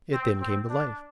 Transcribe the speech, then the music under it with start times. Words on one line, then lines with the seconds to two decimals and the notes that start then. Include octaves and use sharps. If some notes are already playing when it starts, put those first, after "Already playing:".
It then came to life.
0.13 C4
0.41 C4
0.69 D4